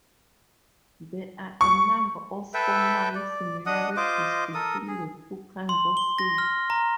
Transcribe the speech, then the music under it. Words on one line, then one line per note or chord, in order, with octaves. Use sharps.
There are a number of formal similarities between the two kinds of fields.
C#6
A4 B4 E5 G5
D5
D4 D#5 F#5 D#6
F4 C5 D#5 D6
A4 A#4 D#6
G#4
C6
G7
A#6
F6
A#5